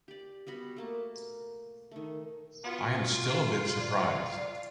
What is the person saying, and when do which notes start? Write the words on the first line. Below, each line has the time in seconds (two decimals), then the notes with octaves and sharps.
I am still a bit surprised.
0.08 G4 D5
0.47 G3 B3 F#4 B5
0.76 A3 A#3 A5
1.91 D#3 A3
2.64 B3 F4 F#4
3.30 F5
3.78 D5